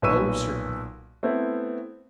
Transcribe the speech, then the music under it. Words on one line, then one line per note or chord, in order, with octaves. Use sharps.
'Oh, certainly.
B1 A#2 B4 C#6 E6 D#7
A3 B3 C4 E4